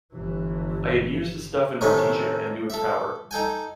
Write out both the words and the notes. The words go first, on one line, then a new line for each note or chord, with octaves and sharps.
I had used the stuff in Rhodesia and knew its power.
G1 E3
A2 C3 D#3 A3 C4 C#4
A4 E5
D#4 A4 G5 G#5